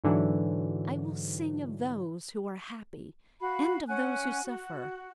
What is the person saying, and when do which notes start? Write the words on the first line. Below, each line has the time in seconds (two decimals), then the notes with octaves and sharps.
I will sing of those who are happy and of those who suffer.
0.04 G#2 D3 E3 F#3
3.40 F#4 F5 B5
3.88 C#4 F#5 G#5 F#6
4.43 F#4